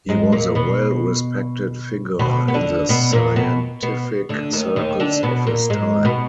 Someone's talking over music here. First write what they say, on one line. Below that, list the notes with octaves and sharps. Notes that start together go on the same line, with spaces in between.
He was a well-respected figure in the scientific circles of his time.
G#2 G#3
A#2 A#3
B2 B3
B2 B3
B3
D3 D4
B2 B3
A#2 A#3
B2 B3
B2 B3
D2 D3
D#2 D#3
D#2 D#3
D3 D4
B2 B3
A#2 A#3
G#2 G#3
B2 B3